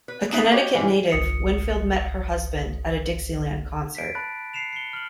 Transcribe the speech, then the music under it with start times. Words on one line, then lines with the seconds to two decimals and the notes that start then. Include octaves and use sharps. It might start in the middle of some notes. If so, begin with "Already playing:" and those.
A Connecticut native, Winfield met her husband at a Dixieland concert.
0.08 B4
0.32 B3 D#4 G#4 B4 E5
0.51 F#4 G4 C#5 D#5
0.74 E3 G3 G#3 C#4 E4
1.11 G1 C2 D#6 C#7
3.95 B6 C7 D7
4.15 A5 B5 F#6 A6
4.53 C7 C#7 E7 F7
4.73 C7 C#7 G7
4.93 F6 F#7